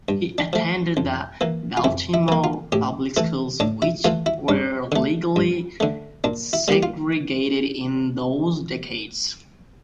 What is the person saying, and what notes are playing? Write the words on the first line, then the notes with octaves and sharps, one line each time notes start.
He attended the Baltimore public schools, which were legally segregated in those decades.
G2
D4
F3 A3
F2
E3 A#3
F4
F2 E4
E4
E3 A#3
F4
A2 G4
E3 A3 E4
A2 D4
E4
E3 A3 F4
E4
G2 D4
D3 A3
G2
D3 A3
A#2 D4
E4
G3 A#3 G4
F4